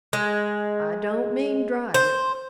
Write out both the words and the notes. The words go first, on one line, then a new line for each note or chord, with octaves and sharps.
I don't mean dry river.
G#3
C5